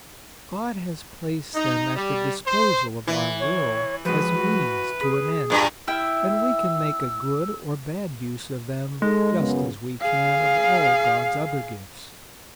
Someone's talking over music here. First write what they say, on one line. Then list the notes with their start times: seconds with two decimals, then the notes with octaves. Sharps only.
God has placed them at the disposal of our will as means to an end, and we can make a good or bad use of them just as we can of all God's other gifts.
1.55 D#4
1.96 G3
2.45 C5
3.07 E3 E4
3.40 C#5
4.05 F3 G#3 F#4 B4
4.33 F#4
5.01 G#4 B5
5.50 G2 A#2
5.88 E4 E5 G5 E6
9.02 G#3 D#4 G#4 A4
9.36 F#2 C#3 B3
10.01 G#4 F5